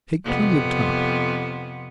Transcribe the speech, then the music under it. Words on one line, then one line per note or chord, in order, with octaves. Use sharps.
Take plenty of time.
F2 C3 B3